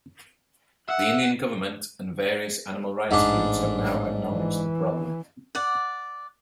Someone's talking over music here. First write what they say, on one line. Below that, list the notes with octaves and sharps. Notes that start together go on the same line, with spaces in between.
The Indian government and various animal-rights groups have now acknowledged the problem.
E5 F#5
A1 G#2 D4
E3
D5 F#5